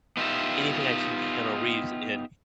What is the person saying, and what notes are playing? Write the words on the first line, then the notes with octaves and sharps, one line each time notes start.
anything I've seen Keanu Reeves in
B3 D#4 F4 G4 E5